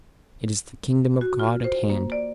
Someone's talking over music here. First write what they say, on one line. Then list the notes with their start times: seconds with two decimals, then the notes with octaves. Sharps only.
It is the Kingdom of God at hand.
1.21 F#4
1.39 F4
1.64 C5
1.90 A#3
2.12 D5